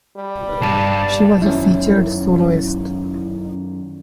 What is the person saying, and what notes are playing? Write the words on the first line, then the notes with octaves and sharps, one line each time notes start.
She was a featured soloist.
G3
D2 G2 D5 A5
F#2 D#3 C#4 E4